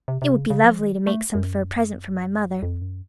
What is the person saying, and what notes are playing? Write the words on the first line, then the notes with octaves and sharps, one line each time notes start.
"It would be lovely to make some for a present for my mother."
C3
C3
C#3
C#3
F3
D#3
A3
F#2
F2
F#2